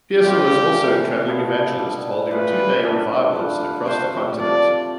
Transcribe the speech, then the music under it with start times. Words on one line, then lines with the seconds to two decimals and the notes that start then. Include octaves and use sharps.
Pearson was also a traveling evangelist, holding two-day revivals across the continent.
0.22 A2 G3 C4 F4 G4
0.74 C3 E3 A3
1.27 F3 B3 E4
1.78 B2 G3 D4 A4
2.30 A2 E3 B3 F4 B4
2.83 E3 B3 D4
3.35 A3 D4 F4 B4
3.86 A3 C4 G4 B4 C5
4.39 F3 A3 C4 D5